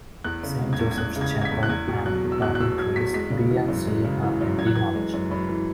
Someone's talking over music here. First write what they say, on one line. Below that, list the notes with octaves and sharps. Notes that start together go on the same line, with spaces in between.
Saint Joseph's Chapel and dormitories B and C have been demolished.
E2 F#6
C#3
G#3
G#6
E2
G#6
E2 F#6
C#3
G#6
G#3
G#6
B6
E2
F#6
E2 G#6
B2
F#3 F#6
E2
E6
E2 F#6
F#6
B2 E6
F#3 G#6
E2 B6
G#3 B6
C#3
E3
F#2
G#3
C#3
E3
F#2
F#2 G#6
F#6
E3 G#6
G#3
F#2
F#2 B5
E3